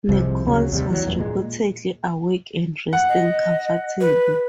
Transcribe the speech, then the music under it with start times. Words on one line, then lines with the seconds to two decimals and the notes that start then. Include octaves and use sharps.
Nichols was reportedly awake and resting comfortably.
0.09 C2 C3 F3 G#3
0.45 D2 C#3 F#3
0.72 D#2 C3 G3
0.90 E3 F#3
1.07 E2 G2 A#2
1.18 A#2 G#3
2.93 F#5
3.09 D#5
4.00 B4